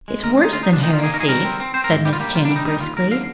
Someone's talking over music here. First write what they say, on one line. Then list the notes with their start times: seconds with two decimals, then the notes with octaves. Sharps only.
"It's worse than heresy," said Miss Channing briskly.
0.08 G#3
0.23 D2 A#4
0.37 G#3
0.43 D#4
0.52 D2 F4
0.63 D#4
0.68 D2 D4
0.83 D#3 D#4
0.93 F4
0.98 A#3 G#4
1.14 D#3 A#4
1.20 G#4
1.28 G3 A#4
1.45 C4
1.60 C4
1.74 C4 C5
1.84 A#4
1.90 G#2
2.05 G3 G4
2.13 F4
2.20 A#3 G4
2.35 C2 F4
2.45 D4
2.51 G3
2.56 D#4
2.66 D#2 D#4
2.80 D#2 F4
2.96 D#2 A#4
3.11 D3 F5